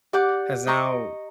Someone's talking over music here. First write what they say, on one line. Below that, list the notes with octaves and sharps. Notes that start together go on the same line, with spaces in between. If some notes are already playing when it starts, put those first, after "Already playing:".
has now
G4 D5 F#5 D6 G6
D#5 A#5 C#6